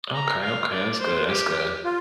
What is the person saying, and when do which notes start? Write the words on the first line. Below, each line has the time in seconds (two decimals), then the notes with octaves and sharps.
Okay, okay, that's good, that's good,
0.14 A#5
0.43 F5
0.71 D5
0.99 C5
1.27 G4
1.84 F4